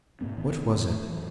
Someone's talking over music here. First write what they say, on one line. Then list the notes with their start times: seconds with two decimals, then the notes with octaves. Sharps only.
What was it?...
0.21 G#2 B2 A#3 C4
0.37 A1 D#3 B3
0.75 A2
1.09 E3 F#3